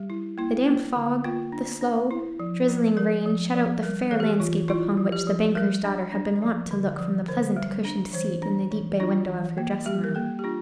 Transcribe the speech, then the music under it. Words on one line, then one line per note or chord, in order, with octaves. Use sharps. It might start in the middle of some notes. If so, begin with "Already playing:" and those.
The damp fog, the slow, drizzling rain shut out the fair landscape upon which the banker's daughter had been wont to look from the pleasant cushioned seat in the deep bay-window of her dressing-room.
Already playing: G3 G4
E4
A#3 E4
A#3
D3
A#3 F4
D4
D4
E4
F3
F3
F3 A#4
F3
F3
G3 A#4
E3 A4
G4
A4
E3 F4
E4 F4
F3
G4
F3
G3 A#4
D4
D4
F3
D3
F3
D3 C5
G3
D4
E3 C5
D4
E3
D4 F4
E3
A#3
G3 G4
A#4
A#3 A4
G4
D4 F4